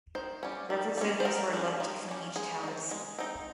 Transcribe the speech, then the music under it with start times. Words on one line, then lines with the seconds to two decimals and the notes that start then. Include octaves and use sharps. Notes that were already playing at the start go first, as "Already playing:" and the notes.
Representatives were elected from each town and city.
0.15 D#3 C5
0.43 G3 C#4
0.70 D#3
0.98 G3 C#4
1.20 C5
1.25 D#3 A#4
1.53 G3 C#4
1.80 D#3
2.09 G3 C#4
2.36 G#3 G#4
2.63 D#4
2.68 C4
2.91 G#3
3.19 C4 D#4